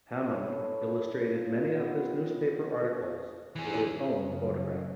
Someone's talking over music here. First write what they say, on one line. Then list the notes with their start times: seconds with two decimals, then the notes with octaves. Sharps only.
Hammond illustrated many of his newspaper articles with his own photographs.
0.29 A4 B4 C#5
1.21 F4
1.75 B3 G5
3.56 E3 G#4
3.74 A4 D5
4.15 F#2 C#3